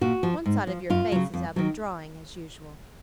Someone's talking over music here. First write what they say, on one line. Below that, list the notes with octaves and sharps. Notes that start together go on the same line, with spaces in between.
One side of your face is out of drawing, as usual.'
A#2 F#4
F3
G#2
F3
F#2 F4
C#3 F#3
F2
D#3 F#3